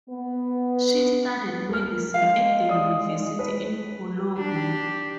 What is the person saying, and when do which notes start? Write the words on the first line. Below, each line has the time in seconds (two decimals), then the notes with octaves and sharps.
She studied medicine at the university in Cologne.
0.10 B3 B4
1.69 A#4 F6
2.14 G#3 F5
2.68 D5 D#6
3.39 B4
4.37 D4 G4